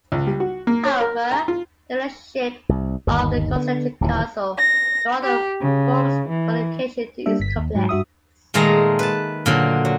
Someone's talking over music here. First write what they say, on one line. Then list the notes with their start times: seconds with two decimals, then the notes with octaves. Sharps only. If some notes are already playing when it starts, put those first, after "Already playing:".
However, the relationship of the concentric castle to other forms of fortification is complex.
0.12 C#2
0.27 G3
0.40 F#4
0.67 A#3
0.85 C#5
1.01 A#4
1.32 A#5
1.48 F4
2.69 C2
3.07 G1 D#2 D#3
3.55 D3 B3
4.01 D1 D#2 E3
4.58 A#6
5.23 G4
5.60 C#3
6.27 E3
7.26 G3 A#3 D4 E5
7.40 G1 B6
7.56 D#2
7.75 G#2 F#3
7.89 G2 F#4 E5 D#6
8.54 A#2 D#3 G#3 A3 A#5
8.99 B4 A5
9.46 A#2 D3 F#3
9.85 F#3